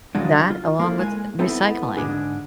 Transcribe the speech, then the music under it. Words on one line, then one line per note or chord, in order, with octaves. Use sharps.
that along with recycling.
C#3 F#3 G#3 D4
F4
A#3 E4 A4
G#3 G#5
B3 C4 E4 A4
G#2 D3 E3 G3 D4 G#4